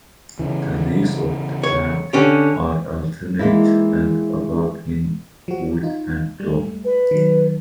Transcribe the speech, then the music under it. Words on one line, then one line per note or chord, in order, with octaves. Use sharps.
The leaves of the plant are alternate and about in width and long.
C#3 E3
C#5
D3 C#4 G4
E3 G#3 A#3 D#4 E4
F3 F#4
D#4 F4
G3 A3
B4
D#3 F#3